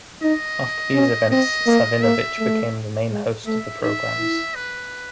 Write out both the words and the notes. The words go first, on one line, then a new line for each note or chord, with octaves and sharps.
After these events, Savinovich became the main host of the programs.
D#4 D#5
C#4
C4 D#5
A#3
A#3 E5
A3
G#3
A3 E5
D#4 E5
E4
B4